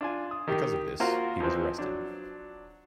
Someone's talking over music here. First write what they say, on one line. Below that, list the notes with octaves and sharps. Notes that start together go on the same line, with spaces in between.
Because of this, he was arrested.
D4 F4 G#5
D#6
D#3 G4
A#3 F4 F#4 A#4 C5 F#5
F2 E3 F3 C4
F#3 D4